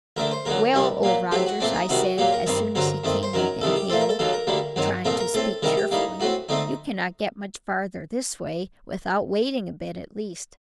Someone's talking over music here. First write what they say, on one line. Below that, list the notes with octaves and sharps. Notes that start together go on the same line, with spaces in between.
"Well, Old Rogers," I said, as soon as he came within hail, trying to speak cheerfully, "you cannot get much farther this way--without wading a bit, at least."
D2 D3 A3 A#4
C5
D#2 D3 F#3 A#4
C2 C3 G3 C4
A#2 F#3 A#3
A2 F#3 A3 C4 G4
F#4
A#2 A3 C4 D4
D#4
C2 C3 D#3 G3 F#4
A#2 F#3 A#3 G4
A#4
G2 D#3 G3 C4
G2 D3 F#3 C4 A#4
G2 D#3 A3 C4
C5
F#2 D#3 F#3 A#4
C2 C3 D#3 G3 A4
G4
A#2 A3 C4 A4
A#4
A4
D#2 D#3 F#3 A#3 A4
A#4
D2 D3 G3 A#3
G2 D#3 F#3 C4
C2 A#2 A3 C4 A#4
A#4
A2 A3 C4 A4
C2 C3 D#3 G3 A#4
G4
A2 G3 A#3 D#4
A2 A3 C4 F#4
D3 A3 C4 D#4